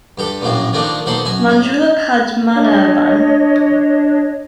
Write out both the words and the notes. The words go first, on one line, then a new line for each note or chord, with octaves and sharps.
Manjula Padmanabhan.
G2 G4 A4
A#1 F#2 A2 A#3 G5
D#3 F3 A3 A#3 C4 D4
B1 D#3 A#3 A4 C5 B5
F#2 E5 G#5
A2
D4 C#5 D#5